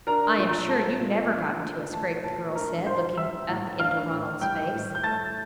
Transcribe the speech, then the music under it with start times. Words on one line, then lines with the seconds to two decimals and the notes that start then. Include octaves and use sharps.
"I am sure you never got into a scrape," the girl said, looking up into Ronald's face.
0.07 D4 A#4 A#5
0.38 A#2
0.69 A3 A5
1.00 A#2
1.31 D4
1.62 A#2
1.93 A3 A5
2.24 A#2 A5
2.55 D4 A#4 A#5
2.86 A2 C5 C6
3.17 G3 E5 E6
3.48 A2
3.79 D4 F5 F6
4.11 A2
4.41 G3 G5 G6
4.73 A2
4.95 G6
5.04 A3 A5 A6